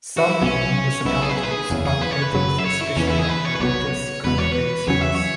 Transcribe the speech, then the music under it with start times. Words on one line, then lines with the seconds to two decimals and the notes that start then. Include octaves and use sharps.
Some municipalities fund projects especially of religious Congregations.
0.17 F#4
0.30 E4
0.42 B1 B2 F#3 B3 C#4
1.05 B1 B2 B3 E4
1.22 G#4
1.29 B4
1.37 G#4
1.43 B4
1.51 G#4
1.70 F#1 E2 C#3
1.86 G#4
2.01 B4
2.11 C#5
2.22 B4
2.33 F#1 F#2 C#3 F#3
2.58 E5
2.65 C#5
2.81 E4
2.97 E2 E3 B3 C#4
3.07 E4
3.19 G#4
3.29 B4
3.45 C#5
3.55 B4
3.60 B1 B2 B3 C#5
4.24 E1 E2 B2 B4
4.38 C#5
4.52 B4
4.88 E2 C#3 F#3 C#4 C#5
5.01 E5
5.15 C#5